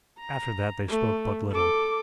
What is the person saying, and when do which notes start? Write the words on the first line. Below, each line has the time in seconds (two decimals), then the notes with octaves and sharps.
After that they spoke but little.
0.21 A#5
0.89 A3
1.51 A4 D6